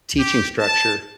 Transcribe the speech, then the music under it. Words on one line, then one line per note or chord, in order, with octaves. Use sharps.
teaching structure.
G4
A5